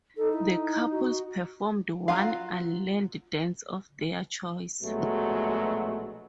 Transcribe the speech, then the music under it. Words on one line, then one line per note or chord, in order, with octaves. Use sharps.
The couples performed one unlearned dance of their choice.
D#4 A4
E4
F#4
F#3 F4 F5
A#1 B2 F#3 G#3 A3